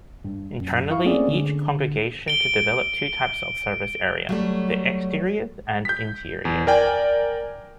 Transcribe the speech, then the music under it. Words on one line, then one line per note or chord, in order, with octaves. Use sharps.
Internally each congregation to develop two types of service area: the exteriors and interiors.
G2
F#2
E4 F5 C#6
A3 A#3 C4 C#4 G#4 D5
D3
D7 G7
F#3 G3 A3
G6 B6
E2
A#4 D5 G5 G#5